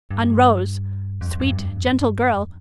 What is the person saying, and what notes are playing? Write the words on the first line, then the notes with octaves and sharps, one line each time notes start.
On Rose, sweet, gentle girl!
G2
F2
G2
F2
G2
F2